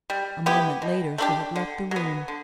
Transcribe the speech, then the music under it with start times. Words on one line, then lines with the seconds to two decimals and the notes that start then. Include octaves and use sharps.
A moment later she had left the room.
0.10 G3
0.46 B3 E4 G4
0.82 B2
1.18 A3 D4 G4
1.56 D3
1.91 F#3 B3
2.28 D3